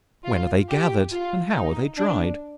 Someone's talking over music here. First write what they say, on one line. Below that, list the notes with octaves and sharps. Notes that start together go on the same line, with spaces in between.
When are they gathered, and how are they dried?
F4
G4
F4
D#4
D4